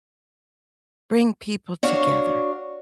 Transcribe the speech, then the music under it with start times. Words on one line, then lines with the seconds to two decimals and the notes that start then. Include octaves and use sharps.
bring people together?
1.83 D4 F#4 C#5 F5